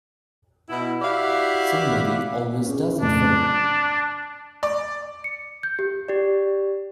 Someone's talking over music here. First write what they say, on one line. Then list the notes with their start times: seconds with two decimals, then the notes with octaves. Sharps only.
Somebody always does it for me.
0.69 B2 E4
1.02 E4 F#4 G4 D5 F5
2.65 C#4 G#4
3.01 F2 A2 C#3 D4
3.42 F#6
4.63 D5
5.24 C#7
5.63 G6
5.79 G4
6.08 G4 D5